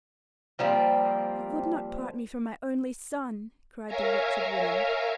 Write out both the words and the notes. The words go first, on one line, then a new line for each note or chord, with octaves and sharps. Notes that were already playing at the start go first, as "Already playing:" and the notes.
"You would not part me from my only son!" cried the wretched woman.
F3 G3 A#3 C4
A#4 C#5 E5 F5 G#5 A#5